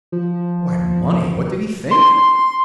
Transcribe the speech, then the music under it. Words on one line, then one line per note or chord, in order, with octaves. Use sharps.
Why, money; what did he think?
F3
C6